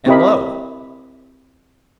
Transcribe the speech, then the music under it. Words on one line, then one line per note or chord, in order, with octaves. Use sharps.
And lo!
C4 E4 G4 A#4 D#5 B5